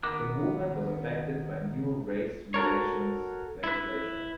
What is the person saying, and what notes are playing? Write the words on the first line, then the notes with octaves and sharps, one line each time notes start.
The movement was affected by new race relations legislation.
D#3 B3 A#4 D6 F#6
F#4 A4 A#4 C#5
E4 B4